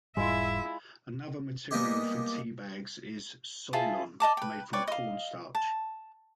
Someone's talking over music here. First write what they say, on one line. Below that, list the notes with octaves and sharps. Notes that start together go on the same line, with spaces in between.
Another material for tea bags is Soilon, made from corn starch.
E1 G#2 G3 G#3 E4 F4 E5
G3 G#3 A#3 B3 D#4 G4
E4 F4 G#4 A5
D5 D#5 A5 D6
B4 G5
B4 C#5 D5 G5
D#5 F5
A5